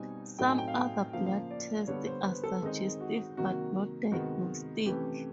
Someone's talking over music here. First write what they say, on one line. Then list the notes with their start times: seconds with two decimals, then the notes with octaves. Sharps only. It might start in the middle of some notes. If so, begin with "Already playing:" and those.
Some other blood tests are suggestive but not diagnostic.
Already playing: B2 G3 C4 D#4 G#5
0.39 A2 F#3 A3 C4 D#4 G5
0.48 G#5
0.58 G5
0.68 F5
0.77 G5
1.13 C#3 F3 A#3 F5
1.26 F5
1.51 D5
1.88 D3 G3 B3 C#5
2.07 C5
2.26 B4
2.44 A4
2.62 D#3 G#3 C4 D#4 G#4
3.00 F#4
3.37 C3 D#3 F#3 A#3 F#4
4.12 C3 D#3 G#3 B3 F#4
4.85 C3 E3 A3 C#4 G4